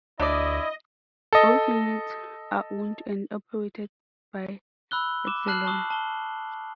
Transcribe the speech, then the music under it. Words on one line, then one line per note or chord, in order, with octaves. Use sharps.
Both units are owned and operated by Exelon.
D2 D4 E4 D5 D#5
A4 D#5
B5 E6 F#6 G7
D6 E7
A5 F6 F#6 C7 F#7
A5 C#6 D#6
A5 G7